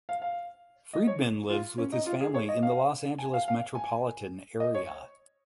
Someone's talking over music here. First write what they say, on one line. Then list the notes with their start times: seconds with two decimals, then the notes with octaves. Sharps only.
Freedman lives with his family in the Los Angeles Metropolitan Area.
0.09 F5
0.22 F5
0.93 D#5
1.07 C#5
1.50 F4
1.78 C#4
1.92 D#4
2.06 F4
2.21 G#4
2.34 C#5
2.49 D#5
2.63 F5
3.18 G#5
3.34 F5
3.48 F5
3.75 G#5
4.60 D#5
4.74 C#5